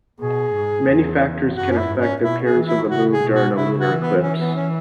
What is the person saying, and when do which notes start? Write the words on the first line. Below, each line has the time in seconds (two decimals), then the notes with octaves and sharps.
Many factors can affect the appearance of the Moon during a lunar eclipse.
0.20 B2 G#4
0.54 G#2
0.87 E2
1.55 F#2 F#4
1.71 C#4
1.77 E4
1.87 G#2
1.99 C#4
2.22 B2 E4
2.44 G#4
2.55 E3
2.66 E4
2.88 C#3 F#4
3.11 G#4
3.22 B2
3.34 F#4
3.55 C#3 E4
3.79 F#4
3.89 E3
4.00 B3
4.22 C#4
4.40 B3
4.56 C#4